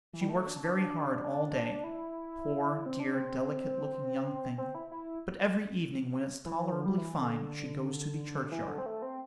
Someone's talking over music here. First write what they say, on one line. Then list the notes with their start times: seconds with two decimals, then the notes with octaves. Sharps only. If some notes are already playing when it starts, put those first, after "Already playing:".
She works very hard all day,--poor, dear, delicate-looking young thing; but every evening when it's tolerably fine, she goes to the churchyard.
0.13 E3
0.21 G3
0.29 A3
0.47 D4
0.64 D4
1.84 E4
2.86 C4
3.00 D4
3.14 C4
4.58 C4
4.75 E4
4.91 E4
6.46 E3
6.72 D3
6.86 G3
6.98 E3
7.22 D3
8.52 E3
8.68 D3
8.78 C4
8.86 A3
9.02 C4